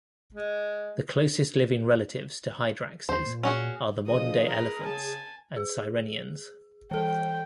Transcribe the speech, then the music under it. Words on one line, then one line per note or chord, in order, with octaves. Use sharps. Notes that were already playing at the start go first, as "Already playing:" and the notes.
The closest living relatives to hyraxes are the modern-day elephants and sirenians.
G#3
E2 C5
A#2
C#4 F#4 G#4
D3 D#3 F3 G#4 D#5 D#6
A#4 B4
C#3 G#5 A5
G#4
E3 A4 G5